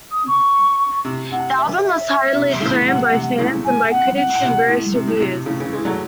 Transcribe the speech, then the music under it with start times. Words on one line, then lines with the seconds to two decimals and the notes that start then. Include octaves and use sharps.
The album was highly acclaimed by fans and by critics in various reviews.
0.11 D#6
0.27 C#6
1.05 C3
1.32 C3 F#5
1.57 E5
1.83 E5
2.34 C3
2.60 A2 C#3
2.87 C3 F#5
3.04 F#5
3.13 C3
3.22 F#5
3.38 A2 C#3
3.64 G#5
3.91 F#5
4.17 F#5
4.43 C3
4.68 A2
4.95 C3
5.07 A2
5.20 C3
5.34 C3
5.46 A2 C#3
5.59 C#3 E3
5.73 E3 G#3
5.85 F#3 A3